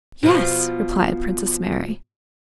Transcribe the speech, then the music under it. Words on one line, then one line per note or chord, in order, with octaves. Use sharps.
"Yes," replied Princess Mary.
B2 F3